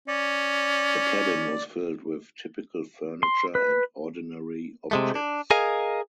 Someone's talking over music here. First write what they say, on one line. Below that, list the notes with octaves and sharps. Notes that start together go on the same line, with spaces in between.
The cabin was filled with typical furniture and ordinary objects.
C#4 D5
C6
B4
C3 G#3 A3
D4
G#4 A#4 D#5 F5 G#5